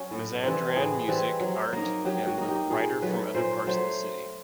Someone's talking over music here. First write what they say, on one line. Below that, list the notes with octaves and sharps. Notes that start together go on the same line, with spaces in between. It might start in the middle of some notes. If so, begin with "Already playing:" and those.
Mazandaran music, art and writer from other parts of the city.
Already playing: F#3 C#4
A2
E3 G3 C4
A2 G#4
E3 G3 C4
F#3
A#3 D#4
F#3 G4
F#4
A#3 D#4
G4
A#2 G#4
F#3 A3 B4
A#2 C5
F#3 A3 C5